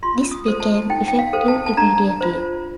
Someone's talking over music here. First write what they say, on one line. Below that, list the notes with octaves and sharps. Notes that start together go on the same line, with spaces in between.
This became effective immediately.
F4 C6
D#6
A4 C5
A5
D#4 G5
G5
F5
A4 C5
A5
A5
D4 A#5
F4 C5